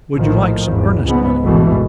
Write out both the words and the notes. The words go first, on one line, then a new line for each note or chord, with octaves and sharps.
"Would you like some earnest-money?"
A#1 A2 D#3 F3
G#1 E2
C#2 G#2 B3
G#1 D2 G#2 B2 E3 A3